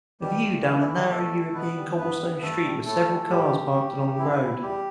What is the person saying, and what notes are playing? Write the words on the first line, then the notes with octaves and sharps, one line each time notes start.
A view down a narrow European cobblestone street with several cars parked along the road.
B2 G3 G4
A3
B2 E3 E4
E3 E4
A3
G3 G4
B2 A3 A4
G3
B2 B3 B4
G3
G2 B3 B4
G3
G2 A3 A4
G3
A2 A3 A4
E3 G3
A2 G3 G4
E3 G3
G2
E3 G3
G2 E3 E4
E3 G3
E2 G3 G4